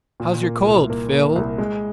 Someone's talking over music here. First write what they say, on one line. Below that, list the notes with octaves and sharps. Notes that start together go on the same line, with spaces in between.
"How's your cold, Phil?"
A#2
A#3
C2
A#3
A#3
C2
G#3